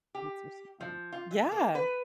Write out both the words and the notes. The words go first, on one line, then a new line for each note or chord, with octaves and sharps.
These are so fun. Yeah.
G4
F3
F4
E3
A#3
B4